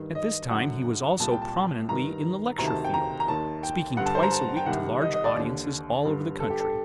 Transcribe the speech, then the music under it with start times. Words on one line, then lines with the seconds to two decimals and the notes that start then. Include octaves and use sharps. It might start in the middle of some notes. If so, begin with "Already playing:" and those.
At this time he was also prominently in the lecture-field, speaking twice a week to large audiences all over the country.
Already playing: G2 D#3
0.15 D#5
0.50 F#2 D3 F#5
1.19 C2 A#2 A5
1.32 G5
1.42 A5
1.89 G2 D#3 A#5
2.58 D2 C3 D#3 A#5
2.67 A5
2.85 G5
2.94 A#5
3.20 A#5
3.28 D#2 D#3 A5
3.63 G5
3.97 G2 D3 F#5
4.06 A5
4.15 C5
4.23 A#5
4.32 A5
4.57 G5
4.66 C2 C3 D#3 F#5
5.02 D#5
5.13 D#5
5.24 D5
5.36 D#2 D3
6.05 G2 D3
6.40 A4
6.50 G4
6.60 A4